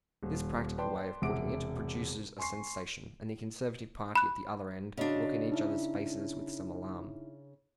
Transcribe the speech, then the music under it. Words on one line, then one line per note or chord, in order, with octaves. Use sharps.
This practical way of putting it produces a sensation, and the conservative party at the other end look in each other's faces with some alarm.
D#1
B4 D5 G5 A5 C6
E1 C3 F#5 D6 D7
G#5 C6 C#6 C7
B5 F#6
C#3 D4 F#4 D#5 F5
D#4 E4 E5